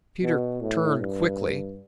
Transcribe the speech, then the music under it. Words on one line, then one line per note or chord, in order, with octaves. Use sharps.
Peter turned quickly.
B2
A2
G2